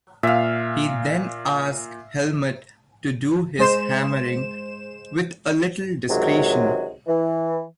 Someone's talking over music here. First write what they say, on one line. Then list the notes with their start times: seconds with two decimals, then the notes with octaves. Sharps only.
He then asks Helmut to do his hammering "with a little discretion".
0.23 A#2 E5 F5
3.59 G#3 C5 E7
6.09 C#2 C3 D#3 F#3 G#3
7.07 E3